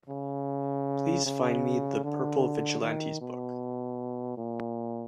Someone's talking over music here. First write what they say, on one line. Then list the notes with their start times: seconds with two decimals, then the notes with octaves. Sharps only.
Please find me The Purple Vigilantes book.
0.09 C#3
1.26 C#3
2.04 D3
2.82 D#3
3.21 B2
4.38 A#2